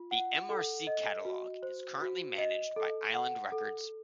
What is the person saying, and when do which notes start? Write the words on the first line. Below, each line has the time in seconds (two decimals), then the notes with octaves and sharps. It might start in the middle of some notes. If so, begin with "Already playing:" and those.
The EmArcy catalogue is currently managed by Island Records.
Already playing: F4
0.11 F#5
0.49 A4
0.87 D#5
1.25 F#4
1.63 C5
2.02 F#4
2.38 D#5
2.76 A4
3.14 F#5
3.52 A4